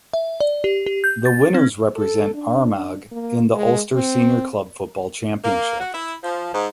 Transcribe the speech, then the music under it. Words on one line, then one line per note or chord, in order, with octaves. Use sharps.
The winners represent Armagh in the Ulster Senior Club Football Championship.
E5
D5
G4
G4
G6
A6
C4
A4
D4
A#3
G#3
C4
A#3
F#4
E4
F3
G#2